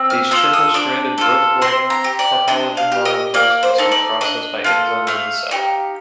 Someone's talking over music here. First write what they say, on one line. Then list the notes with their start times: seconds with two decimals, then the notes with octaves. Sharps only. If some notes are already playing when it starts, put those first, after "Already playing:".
These triple-stranded, ropelike procollagen molecules must be processed by enzymes in the cell.
Already playing: C4
0.10 F6
0.31 F4 A4 D#6
0.53 D#6
0.74 D4 D6
1.18 F4 A4
1.62 C4 C6
1.90 A#5
2.04 G4
2.19 D5
2.48 D4 D#5
2.77 F5
2.92 G4
3.05 D#5
3.34 A#3 D5
3.63 C5
3.78 D#4 A4
3.92 D5
4.21 D4 D#5
4.64 F4 A4
5.07 A3 F5
5.51 D#4 G4